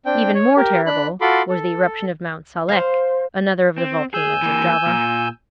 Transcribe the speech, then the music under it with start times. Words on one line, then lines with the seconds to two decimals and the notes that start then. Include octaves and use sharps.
Even more terrible was the eruption of Mount Salek, another of the volcanoes of Java.
0.06 C4 D4 G5
0.34 C#5
0.57 G4 A#4
0.86 D4 B5 F#6
1.21 F4 F#4 A4 B5 C6 D6
1.49 A4
2.69 C5 F5
3.78 C4
4.14 G#4 G#5 E6 G6
4.42 E3 A#3
4.87 A#2